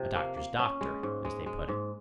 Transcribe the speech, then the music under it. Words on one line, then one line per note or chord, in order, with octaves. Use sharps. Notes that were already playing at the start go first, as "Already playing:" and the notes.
A doctor's doctor, as they put it.
Already playing: C3 F3
A#3
A#3
C#4
G#3
G#2
G#3
G#3
G#2